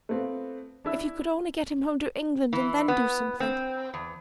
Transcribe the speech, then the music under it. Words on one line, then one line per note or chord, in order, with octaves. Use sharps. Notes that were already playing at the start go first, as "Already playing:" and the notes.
If you could only get him home to England, and then do something.
A3 B3 C4 F4
D4 E4 E6
E3
B3
C4
E2